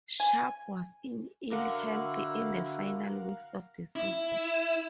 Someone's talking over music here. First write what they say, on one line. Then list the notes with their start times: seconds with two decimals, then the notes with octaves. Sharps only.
Sharpe was in ill health in the final weeks of the season.
0.20 G#5
1.51 D3 E4 F#4 A#4 F5 F#5
3.96 E4